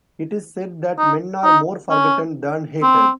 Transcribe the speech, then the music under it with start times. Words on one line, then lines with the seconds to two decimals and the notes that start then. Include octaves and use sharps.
It is said that men are more forgotten than hated.
0.98 D#4
1.44 D#4
1.90 C#4
2.82 C4